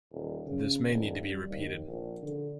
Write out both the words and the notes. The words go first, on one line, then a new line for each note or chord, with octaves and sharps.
This may need to be repeated.
D#1
C#3
D#1
G3
D#2
A#1
D3